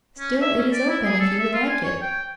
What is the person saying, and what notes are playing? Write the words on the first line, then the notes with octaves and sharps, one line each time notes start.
Still it is open, if you would like it.'
C#4
E5
C#4
D5
E4
G#4
A4
E5
F4
G#5
C#5
G5